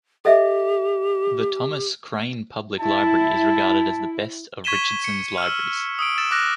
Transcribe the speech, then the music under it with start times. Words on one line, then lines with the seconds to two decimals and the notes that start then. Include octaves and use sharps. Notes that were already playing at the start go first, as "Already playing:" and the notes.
The Thomas Crane Public Library is regarded as the best of Richardson's libraries.
0.25 G4 A4 D#5 E5
2.80 E4 A5
4.64 C#6 G#6 B6 D#7 E7 G7
5.04 C#7
5.38 E6 F6
5.99 D#6 E6 D7
6.18 E6 A6 E7
6.31 D6 F6 F#6 A#6